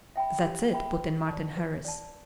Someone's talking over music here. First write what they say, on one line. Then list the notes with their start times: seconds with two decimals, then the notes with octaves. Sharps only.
"That's it," put in Martin Harris.
0.16 E5 G5 B5
0.43 G4
0.72 E5 G5 B5
0.99 B4
1.28 D5 A5
1.57 B4
1.85 D5 A5